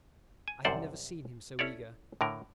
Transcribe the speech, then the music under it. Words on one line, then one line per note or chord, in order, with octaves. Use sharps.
I have never seen him so eager.
G#5
C2 F#2 C3 C5 D5 F#5
C#4 E4 A4 C#5 D5
A2 D3 A#4